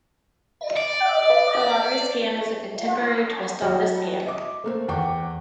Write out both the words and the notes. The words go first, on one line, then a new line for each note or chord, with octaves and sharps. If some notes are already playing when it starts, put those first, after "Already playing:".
The lottery scam is a contemporary twist on this scam.
D5
B4
F#3 F#4 C#5 D#5
D#5 E5 D6
A3 A#3 C5
E2 F#5 G5 C#6 D6